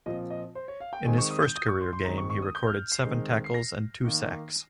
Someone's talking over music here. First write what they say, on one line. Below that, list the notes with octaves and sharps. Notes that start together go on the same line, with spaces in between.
In his first career game he recorded seven tackles and two sacks.
A#2 F3 C4 D#5
D#5
C5
C#5
F5
G5
D#3 G#3 C4 G#5
C#6
D#6
G6
D#6
C#6
C6
C6
D#3 G#3 C4 A#5
C#6
C#6
D#6
G6
F6
C7
D#3 G#3 C4
C7
A#6
D#3 A#3